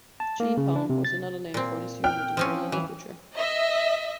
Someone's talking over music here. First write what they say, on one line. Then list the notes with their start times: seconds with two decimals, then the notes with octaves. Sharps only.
"Geepound" was another name for this unit in early literature.
0.20 A5
0.40 A#3
0.57 C#3
0.76 D4
0.90 C3
1.05 A6
1.54 A#2 C4
2.04 G5 F6 F#6
2.37 F3 C4 C#4
2.72 E3
3.36 D#5 E5